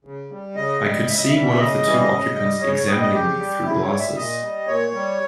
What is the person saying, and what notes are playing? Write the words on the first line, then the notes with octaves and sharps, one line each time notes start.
I could see one of the two occupants examining me through glasses.
C#3
G3
C#3 D#5
G3
C#3 E5
D#5
E5
E3 G3
C#3 D#5
E3 G3
C#3
G3
C#3 C#5
C#5
G3 D#5
D#5
C#3 G4
G3
C#3 E4
C#5
G3
E5
A#2 D#5
G3
A#2 C#5
G3